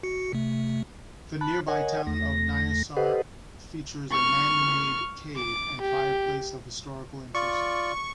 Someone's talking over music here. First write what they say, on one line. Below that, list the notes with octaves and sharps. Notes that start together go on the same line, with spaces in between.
The nearby town of Niasar features a man-made cave and fireplace of historical interest.
F#4 C#7
C3 A3
A5 B5 F#6
A#4 C#5 D#5 F#5 G#5
E2 A3 A#6
G4 A4 B4 C5 D#5 F#5
C#6 F6
D6
G4
F4 D5 C#6